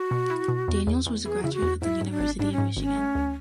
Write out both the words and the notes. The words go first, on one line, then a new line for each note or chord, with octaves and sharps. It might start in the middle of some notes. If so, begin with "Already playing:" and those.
Daniels was a graduate of the University of Michigan.
Already playing: F#4
B2
E4
B2
E2
E2
E2
E3 G#4
C#3 E4
F#4
E2
G#2 E4
G#2 C#4
D4
G#1
G#2 D4
C#4
G#2
G#1 C#4
A3
D2